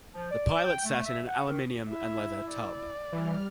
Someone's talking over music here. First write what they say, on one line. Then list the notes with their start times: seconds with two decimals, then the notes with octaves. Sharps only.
The pilot sat in an aluminium-and-leather tub.
0.14 F3
0.30 D5
0.65 G5
0.84 A3
1.05 E5
1.27 F#5
1.46 D#3
1.89 E4 E5
2.51 D5
3.13 E3 G3 F6